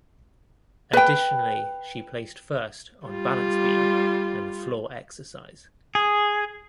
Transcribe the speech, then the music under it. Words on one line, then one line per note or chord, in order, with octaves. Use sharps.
Additionally she placed first on balance beam and floor exercise.
B4 G5
G3 F4
G#4